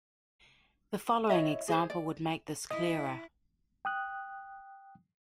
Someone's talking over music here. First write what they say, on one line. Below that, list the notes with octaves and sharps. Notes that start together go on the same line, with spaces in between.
The following example would make this clearer.
E4 C#5 D#5 E5
G#4 C5
D5
E4 D#5
G5 D#6 F#6